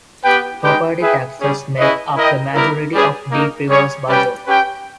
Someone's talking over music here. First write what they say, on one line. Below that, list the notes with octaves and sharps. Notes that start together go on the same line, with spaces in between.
Property taxes make up the majority of Deep River's budget.
B3 G4 B4 G5
G#3 D#4 G4 B4 G5
E4 G#4 B4 E5 G5
G3 C#4 G#4
C#4 E4 G#4 B4 D#5
E4 A#4 D#5 G5
G3 B3 E4 A#4
G3 C#4 G#4 B4
A#3 D#4 A#4
G3 C#4 G#4 C#5
G3 C#4 G4 B4 G5
C#4 G4 B4 G5